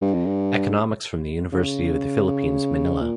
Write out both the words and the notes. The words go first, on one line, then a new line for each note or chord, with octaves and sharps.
Economics from the University of the Philippines Manila.
G2
F2
G2
C#3
C#3
A#2